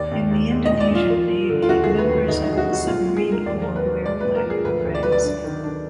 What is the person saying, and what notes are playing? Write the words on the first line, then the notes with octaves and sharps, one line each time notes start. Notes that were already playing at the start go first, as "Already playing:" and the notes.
In the Indonesian Navy, members of the Submarine Corps wear black berets.
Already playing: D#2 A#3 D5
D#2
D#2
G#3
A#2 D#5
D5
A#2 F4
A#3
F3
D3
F4
D#2 F#4
G#4
A#3
B4
D#2 B4
D2 D#4
F#3 D#4
G#4
F#4
A#3 F#4
A#2 F4
G#3
G#4
G#3 A#4
D#2 D5
D#2 A#4
B4
F#3
G#3 D5
A#2 B4
A#4
F3 G#4
D2 B4
D2
D5
F#3 B4
D5
D4
D#3
D4